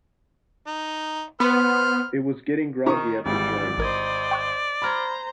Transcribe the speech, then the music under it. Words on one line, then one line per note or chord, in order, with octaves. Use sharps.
It was getting groggy at the joints.
D#4
B3 C5 F6
D#3 D4 E4 G4 A#5 C#6 D#6
G#1 G#2 E3 G3 D5
A1 A#4 C5 D#5 G#6
G5 C#6 F#6
C5 A#5 B5 F6 G#6